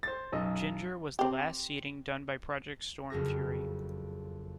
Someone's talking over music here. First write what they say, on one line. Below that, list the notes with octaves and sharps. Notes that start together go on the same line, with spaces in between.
Ginger was the last seeding done by Project Stormfury.
C5 A6
B1 F#2 D#5
C4 G4
F#1 F2 G#4 A#6